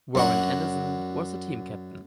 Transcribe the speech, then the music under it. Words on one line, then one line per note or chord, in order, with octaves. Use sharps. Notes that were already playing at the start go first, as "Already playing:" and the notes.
Warren Anderson was the team captain.
F#2 D4 F#4